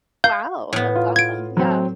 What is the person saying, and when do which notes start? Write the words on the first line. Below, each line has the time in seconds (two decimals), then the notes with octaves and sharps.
Wow, that's awesome. Yeah.
0.24 F5 G6
0.73 A2 B3
0.96 F4
1.16 G#6 D7
1.57 F#3 C4